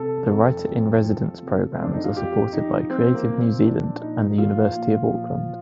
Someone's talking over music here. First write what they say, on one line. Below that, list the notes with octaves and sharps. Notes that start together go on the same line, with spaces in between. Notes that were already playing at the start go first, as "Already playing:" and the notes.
The writer-in-residence programmes are supported by Creative New Zealand and the University of Auckland.
Already playing: C3 A4
F2
F2
F3
C3
C4
F2 D4
D#4
F4
F2 G4
F3 D#4
F3 C4
A#3
A#2
C4
F3 D4
A#2 D#4
F3 F4
A#2
F3